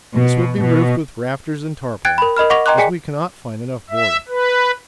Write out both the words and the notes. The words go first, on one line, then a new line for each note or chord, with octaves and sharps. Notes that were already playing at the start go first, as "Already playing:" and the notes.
This will be roofed with rafters and tarpaulin, as we cannot find enough boarding.
B2
B2
G5 F#6 G#6 A6 D7
A#4 B5
A#4 D#5 B5 F6
D#5 F#5 C#6 D6 A#6 F7
D#5 G5 A#5 C6 D6 F#6
G#4 D5 G5 G#5 B6 C#7
E5
B4